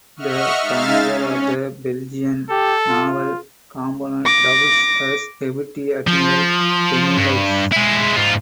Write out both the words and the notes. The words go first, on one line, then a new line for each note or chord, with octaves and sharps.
The commander of the Belgian Naval Component doubles as Deputy Admiral Benelux.
D#5 E5 F#5 C#6 F6
G#3 D#4 E5 F5 F6 A6
C#4
G4 A4
F4
D6 A#6
F3
G2
G#3 E4
G#2 F4